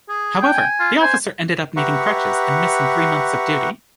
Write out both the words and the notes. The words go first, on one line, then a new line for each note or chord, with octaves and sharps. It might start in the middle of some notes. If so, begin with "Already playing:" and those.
However, the officer ended up needing crutches and missing three months of duty.
G#4
G5
G#5
F4
C5 G#5
G4 B4 E5 F#5 A#5 C#6